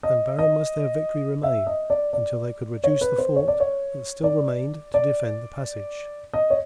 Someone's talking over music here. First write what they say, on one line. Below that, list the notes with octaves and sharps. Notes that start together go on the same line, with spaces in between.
And barren must their victory remain until they could reduce the fort that still remained to defend the passage.
D#5
D#5
E5
D#5
D5
D5
C#5
B4
C5
C#5
D5
C#5
D5
D5
D#5
C#5